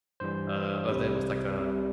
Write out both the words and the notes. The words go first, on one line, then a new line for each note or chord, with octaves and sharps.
uh, of it was like a
G2 E3 G3 C5
C2 C3 G3
C2 C3 G3